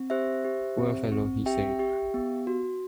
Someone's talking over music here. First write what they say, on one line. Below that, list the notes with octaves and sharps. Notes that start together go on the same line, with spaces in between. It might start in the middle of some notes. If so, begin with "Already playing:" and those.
"Poor fellow," he said.
Already playing: C4
G4 C5 E5
G4
C4
C4
G4 E5 G5
G4
B3
F#4